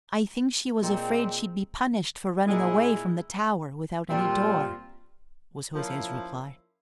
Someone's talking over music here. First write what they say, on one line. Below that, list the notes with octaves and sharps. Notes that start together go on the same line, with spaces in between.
"I think she was afraid she'd be punished for running away from the tower without any door," was Jose's reply.
A#2 G#3 C4
A#2 G#3 E4
A#2 G3 C4 F4
F3 A#3 C#4 E4